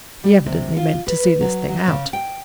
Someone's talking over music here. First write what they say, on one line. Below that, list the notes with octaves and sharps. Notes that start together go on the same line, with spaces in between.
He evidently meant to see this thing out.
G3
C3
F4
B4
F#3
F#3
C#3
G5